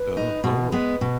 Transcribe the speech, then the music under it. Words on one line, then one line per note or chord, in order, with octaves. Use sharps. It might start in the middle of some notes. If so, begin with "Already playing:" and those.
Oh, oh.
Already playing: B4
D#4
B2
G#3 B3
B2